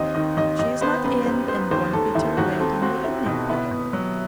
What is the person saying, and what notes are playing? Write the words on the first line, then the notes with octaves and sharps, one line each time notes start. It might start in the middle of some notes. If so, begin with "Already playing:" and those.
She is not in and won't be till late in the evening probably.
Already playing: D#2 C4 D#5
D#3 D#5
D#2 D#5
D#2 D#5
B3 C5
F#2 B4
F#2 C5
B3 C5
D#2 C5
D#2 A4
D#2 E4
D#2 F#4
C4 A4
C4 F#4
C4 E4
B2 D#4
B3 E4
B2
F#3